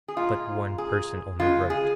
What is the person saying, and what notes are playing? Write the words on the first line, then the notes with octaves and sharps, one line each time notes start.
"But one person only wrote!"
G#4
A#2 G#3 F4
G#4
C#3 G#3 F4
G#4